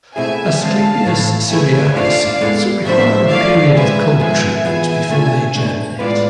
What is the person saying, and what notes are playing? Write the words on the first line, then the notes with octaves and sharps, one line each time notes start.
"Asclepias syriaca" seeds require a period of cold treatment before they germinate.
B2 A3 C4 E4 G#4 E5 G#5
D3 G#3 C4 F5 A5
A2 E3 A3 E4
A3 E4 G#4 B4 E5 G#5
A3 D4 F4 A4 C5 D5 F5
G#3 B3 E4 A4
A2 F3 A3 D4 C5 E5
F3 A3 E4 D5 F5
G#3 C4 G#4 B4 E5 G#5
F3 G#3 B3 E5 G#5
E3 B3 F4 G#4 E5 G#5
D3 A3 D4 F4
B2 A3 D4
A2 G#3 B3 F4 B4 D5 F5